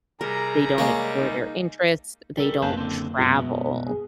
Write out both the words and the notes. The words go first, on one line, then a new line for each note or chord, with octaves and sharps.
They don't explore their interests. They don't travel,
C3 G3 G#4 A#4 A#5
G#3 A#3 C#4 C#5
D#4
G3 A4 A#4
F#1 B4 F5 A5 G6
D3 C4
F#2 B2 G#3 B3
G#4